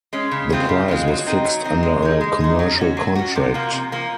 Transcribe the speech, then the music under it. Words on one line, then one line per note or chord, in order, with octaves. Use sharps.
The price was fixed under a commercial contract.
G#3 C#4
C#3
G#3 C4 F4 G#4
C#3
G#3 C4 F4 G#4
F#3
C4 D#4
F#3
C4 D#4
G#3
D#4 G#4
G#3
D#4 G#4
F#3
C#4 F#4
F#3
C#4 F#4
C3
F3 A#3
C3
F3 A#3